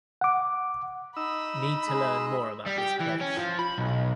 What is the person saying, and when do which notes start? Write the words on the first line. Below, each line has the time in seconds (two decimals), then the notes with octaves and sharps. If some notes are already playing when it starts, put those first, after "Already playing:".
Need to learn more about this place.
0.21 F#5 D6
1.17 D#4 B5 E6
1.87 G#3 G#4 D#5
2.66 G3
2.78 G4
3.00 E3
3.21 C#4
3.37 F3
3.59 B5
3.78 B1